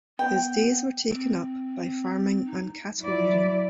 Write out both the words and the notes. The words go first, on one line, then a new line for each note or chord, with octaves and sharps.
His days were taken up by farming and cattle rearing.
B3 G5
C4
D#4
F#3 E4 D5